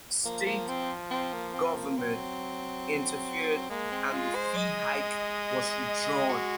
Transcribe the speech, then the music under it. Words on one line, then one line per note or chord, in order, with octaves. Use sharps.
State government interfered and the fee hike was withdrawn.
F3 A#3
A#3
C4
C4
A#3
C4
A#3
F#3 C4
G#3 A#3
C4
F4
C5
D#5
F#4